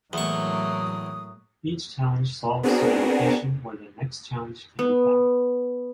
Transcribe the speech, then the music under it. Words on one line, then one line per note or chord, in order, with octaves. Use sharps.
Each challenge solves to the location where the next challenge can be found.
E2 A2 F#3 A3 A#3 C#6 D#6
B3 C4 D4 F#4 G#4 A#4
B3